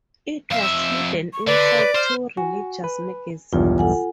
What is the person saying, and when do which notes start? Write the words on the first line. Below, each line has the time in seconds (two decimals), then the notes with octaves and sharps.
It was hidden inside two religious magazines.
0.51 F2 E5 F5
0.63 E6
1.33 C#6
1.47 D3 B4 D5
1.95 C5 F6
2.37 F#4 G#5
2.84 B4
3.53 B1 E2 G2 F4
3.78 A4 F#5 G#5